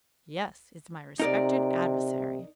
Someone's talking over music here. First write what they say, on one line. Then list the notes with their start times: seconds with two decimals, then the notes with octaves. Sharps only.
"Yes; it's my respected adversary."
1.20 C3 D#4 A#4 D5